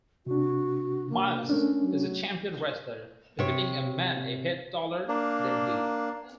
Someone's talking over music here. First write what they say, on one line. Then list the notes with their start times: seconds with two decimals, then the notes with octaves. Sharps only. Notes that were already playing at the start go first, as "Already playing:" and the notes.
Myles is a champion wrestler, defeating a man a head taller than he.
0.26 C3 D4 F#4
1.10 A#3
1.49 A3 C#4 D4 A#4
1.81 F#3
3.39 C3 C#5
5.08 A#3 D4